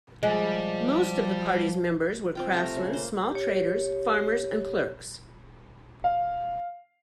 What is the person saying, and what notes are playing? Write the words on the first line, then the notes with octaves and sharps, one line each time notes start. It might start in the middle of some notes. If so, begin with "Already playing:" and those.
Most of the party's members were craftsmen, small traders, farmers, and clerks.
F3 G3 G#3
C4 F4 G5
C3 A3 A#5
C#3
A#3 C5
G4 C#5
F5